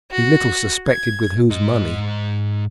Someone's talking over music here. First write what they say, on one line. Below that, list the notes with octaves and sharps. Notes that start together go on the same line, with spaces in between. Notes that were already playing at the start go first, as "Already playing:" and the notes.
He little suspected with whose money.
F#4
G#6
G#2 D#5